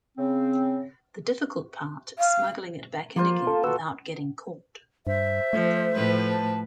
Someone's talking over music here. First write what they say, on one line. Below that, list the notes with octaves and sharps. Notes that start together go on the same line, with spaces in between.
The difficult part is smuggling it back in again without getting caught.
C#3 C4
F5
F3 A#3 F4 C5
A4 F5 A5
F#4 A4 B4 E6
G2 C5 E5
F3 A3
A2 F3 B4
A5